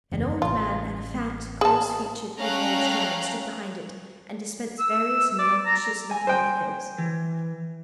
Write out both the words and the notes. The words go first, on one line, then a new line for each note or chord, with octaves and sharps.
An old man and a fat, coarse-featured, middle-aged woman stood behind it and dispensed various noxious-looking liquors.
F#1 E2
A1 F4
G#4 A5
A3 C#4 F5 G5 A#5 F#6
E6
D5
A#5
G#5
C5 G5
E3